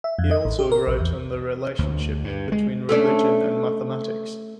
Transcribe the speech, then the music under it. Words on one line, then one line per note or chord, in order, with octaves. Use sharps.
He also wrote on the relationship between religion and mathematics.
E5
F2
D#5
A1
G4
A#4
A#1
E2
D2
G2
G#3
A3 C#4 D4